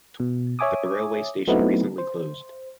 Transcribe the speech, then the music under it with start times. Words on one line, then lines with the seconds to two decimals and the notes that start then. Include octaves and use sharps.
The rail way station recently closed.
0.20 B2
0.59 C#5 E5 G#5 D6 D#6
1.48 F#3 A3 B3 C4 D#4 E4
1.98 C5